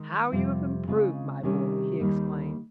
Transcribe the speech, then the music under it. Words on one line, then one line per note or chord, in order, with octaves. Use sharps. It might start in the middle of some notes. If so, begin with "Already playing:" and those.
"How you have improved, my boy!" he exclaimed.
Already playing: D#3 G#3 D#4
F2 C3 G3 C4 F4
C#3 G#3 C4 F4
C3 D#3 G3 C#4 G4
D#2 D#3 G3 A#3 D#4